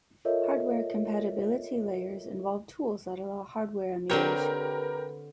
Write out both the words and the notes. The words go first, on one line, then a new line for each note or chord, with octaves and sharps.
Hardware compatibility layers involve tools that allow hardware emulation.
F4 A4 A#4 C#5 D#5 E5
D3 C4 G4 A#4 B4 C#5